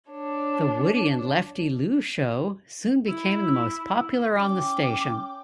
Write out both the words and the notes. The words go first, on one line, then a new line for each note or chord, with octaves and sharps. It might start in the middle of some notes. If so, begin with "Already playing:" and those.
The "Woody and Lefty Lou"-Show soon became the most popular on the station.
D4 C#5
E4
C#4 G5 D6